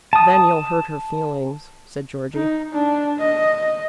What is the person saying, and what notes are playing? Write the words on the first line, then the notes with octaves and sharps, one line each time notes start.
"Then you'll hurt her feelings," said Georgie.
A5 D#6
D#4
D4
D#5